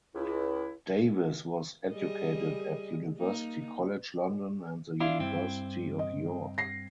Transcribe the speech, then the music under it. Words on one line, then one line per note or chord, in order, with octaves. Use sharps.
Davies was educated at University College London and the University of York.
C#2 E4
G3 G#4 D#5
A#3 D#4
D4 E4 F4
G2 C4
D#5
A#6 C7